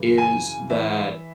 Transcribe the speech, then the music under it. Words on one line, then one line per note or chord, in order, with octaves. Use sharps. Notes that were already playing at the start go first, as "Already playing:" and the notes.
is that
Already playing: F#2 C#3 E3
G#5
E3 E5